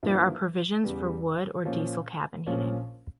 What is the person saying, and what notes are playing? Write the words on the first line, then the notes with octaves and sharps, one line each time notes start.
There are provisions for wood or diesel cabin heating.
G2 F3 A#3 E4
E2 C#3 G3
A#2 F3 C#4
A#1 A#2 F3 C#4